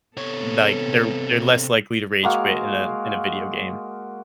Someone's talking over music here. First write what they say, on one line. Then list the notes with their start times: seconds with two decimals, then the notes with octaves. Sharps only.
like, they're they're less likely to rage quit in a in a video game,
0.17 C3 B3 A4 C#5
2.23 G#3 A#3 F#4 F5